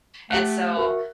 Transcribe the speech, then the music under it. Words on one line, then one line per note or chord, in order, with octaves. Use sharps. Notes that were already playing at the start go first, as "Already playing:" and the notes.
and so,
A3 G4 F#5 F#6
F#4 A#4 E5